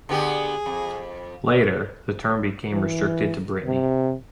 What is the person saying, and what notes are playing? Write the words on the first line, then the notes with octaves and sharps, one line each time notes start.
Later, the term became restricted to Brittany.
D3 B3 G4 G#4
F2
E3
C3